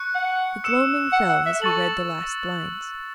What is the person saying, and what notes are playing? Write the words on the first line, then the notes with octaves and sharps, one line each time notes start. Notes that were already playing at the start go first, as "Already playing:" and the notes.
The gloaming fell as he read the last lines.
Already playing: C#6 F#6 C#7
F#5
E6 C#7 E7
F#5
F#5
E5
A4 C#6 A6 F#7